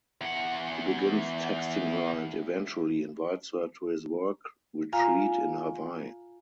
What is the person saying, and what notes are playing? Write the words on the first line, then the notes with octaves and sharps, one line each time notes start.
He begins texting her and eventually invites her to his work retreat in Hawaii.
E2 F#5
F4 F5 G#5 A#5